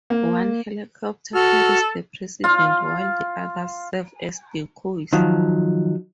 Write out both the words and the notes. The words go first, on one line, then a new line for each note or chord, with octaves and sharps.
One helicopter carries the President, while the others serve as decoys.
A#3
F#4 A4 F6
F4 F5
D#3 F3 F#3